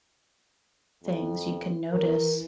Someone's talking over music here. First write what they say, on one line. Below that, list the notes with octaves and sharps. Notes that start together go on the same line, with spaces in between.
things, you can notice
F2
E3 A#4